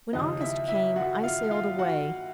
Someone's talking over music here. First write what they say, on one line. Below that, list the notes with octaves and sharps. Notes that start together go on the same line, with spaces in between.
When August came I sailed away.
D#2 C#3 F3 D#4 D#5
E4 E5
E4 E5
F#4 F#5
F4 F5
F4 F5
F#4 F#5